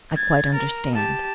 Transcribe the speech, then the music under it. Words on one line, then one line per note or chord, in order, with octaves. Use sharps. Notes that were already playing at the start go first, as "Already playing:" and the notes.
"I quite understand."
G#6 A6
A#4
G4 A5